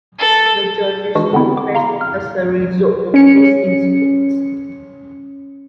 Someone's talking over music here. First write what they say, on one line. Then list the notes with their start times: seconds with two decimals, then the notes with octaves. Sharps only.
No charges were pressed as a result of this incident.
0.19 A4
1.15 E3 G#3 D4 F#4
1.33 D3 B3 C4 E4
1.57 D6
1.75 F5 A#5 C6
2.01 F6
3.14 C#4 C#7